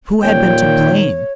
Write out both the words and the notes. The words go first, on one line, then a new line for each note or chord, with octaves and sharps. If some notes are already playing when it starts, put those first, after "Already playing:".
Who had been to blame?
D#1 A#2 C#5 G5
D#3